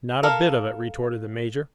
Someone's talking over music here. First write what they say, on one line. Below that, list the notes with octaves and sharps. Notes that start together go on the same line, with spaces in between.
"Not a bit of it," retorted the major.
A4 A#4 F5